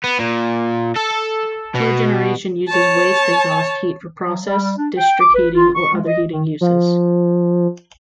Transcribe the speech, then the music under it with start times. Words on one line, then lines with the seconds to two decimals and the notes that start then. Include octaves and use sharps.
Cogeneration uses waste exhaust heat for process, district heating or other heating uses.
0.04 B3
0.19 A#2
0.96 A4
1.75 B2
2.69 C#5 A5
4.27 F#3
4.45 G3
4.77 D4
4.97 G5
5.20 D6
5.34 B4
5.54 F4
5.75 C#6
5.94 G#3
6.06 D#5
6.31 D#3
6.61 F3